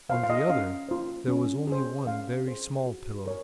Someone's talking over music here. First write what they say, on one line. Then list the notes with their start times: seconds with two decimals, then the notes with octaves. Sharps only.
On the other there was only one very small pillow.
0.09 F4 C5 F5
0.23 F5
0.30 D#5
0.49 C#4 F5
0.89 F4 C5
1.28 C#4
1.67 G#4 C5
2.07 C#4 F5
2.46 G#4 C5
2.86 F#4
3.26 A#4 C#5